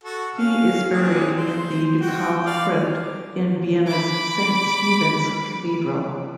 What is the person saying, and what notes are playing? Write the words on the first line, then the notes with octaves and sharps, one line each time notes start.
He is buried in the Ducal Crypt in Vienna's Saint Stephen's Cathedral.
F#4 A4
C#4 F5
C4 D4 G#4
C5
F#4 G5
D5 F5
B5 D6